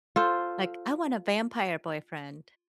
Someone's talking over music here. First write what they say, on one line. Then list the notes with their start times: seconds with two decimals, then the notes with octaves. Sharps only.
like, "I want a vampire boyfriend."
0.16 F4 A4 C5